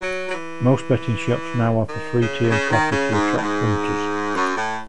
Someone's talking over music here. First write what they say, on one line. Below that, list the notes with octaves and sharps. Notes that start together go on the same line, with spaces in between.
Most betting shops now offer free tea and coffee to attract punters.
F#3
F#3
E3
D#3
C#3
C3
C#3
D#3
C#3
G#2
A2
G#2
F#2
A2